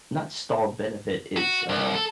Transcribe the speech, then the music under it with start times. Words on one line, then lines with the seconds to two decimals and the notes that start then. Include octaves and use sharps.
not stalled benefit. It's, uh
1.37 F#4
1.69 C2
1.94 A4